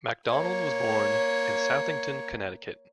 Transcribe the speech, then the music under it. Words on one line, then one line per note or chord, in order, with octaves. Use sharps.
MacDonald was born in Southington, Connecticut.
A#3 C#5